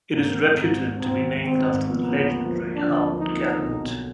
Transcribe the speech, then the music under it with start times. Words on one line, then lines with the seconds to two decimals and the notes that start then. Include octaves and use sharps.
It is reputed to be named after the legendary hound Gelert.
0.13 G#2 A#3
0.28 D#3
0.43 G#1
0.57 G#2
0.71 G#1
0.86 G#1
1.00 G#2 C4
1.15 D#3
1.30 G#2
1.44 G#1 C4
1.59 G#2
1.74 G#1
1.88 F3 B3
2.03 A#3
2.17 D2
2.31 A#3
2.46 F3
2.61 F3
2.75 F3 D4
2.89 D2
3.05 F3
3.19 F3 D#4
3.33 A#3
3.48 D3
3.62 B1
3.77 B1